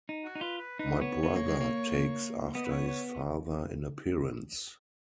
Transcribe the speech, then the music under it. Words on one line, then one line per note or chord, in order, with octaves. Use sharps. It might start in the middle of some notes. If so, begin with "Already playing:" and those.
My brother takes after his father in appearance.
D#4
F#4
D#4
F4 B4
B4
D#4 B4
B3 C#5
B3
A#3
G#3
A#3
B3 D#5
B4
C#5
C#5